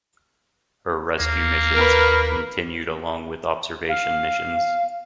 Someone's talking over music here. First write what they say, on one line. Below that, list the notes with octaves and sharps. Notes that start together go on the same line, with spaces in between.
Her rescue missions continued along with observation missions.
D#2 A#3
A#4 B4
F5